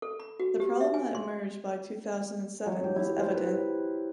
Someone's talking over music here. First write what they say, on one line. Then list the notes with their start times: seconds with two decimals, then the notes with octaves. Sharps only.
The problem that emerged by two thousand and seven was evident.
0.02 A4
0.20 B5
0.40 F#4
0.60 G4
0.81 E5
0.94 G#5
1.15 C6
2.66 F#3
2.84 G4
2.96 E4
3.19 C5
3.34 B4